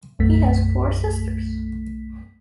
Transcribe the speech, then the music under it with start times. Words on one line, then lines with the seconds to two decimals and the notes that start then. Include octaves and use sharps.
He has four sisters.
0.19 B1 F#2 A3 B6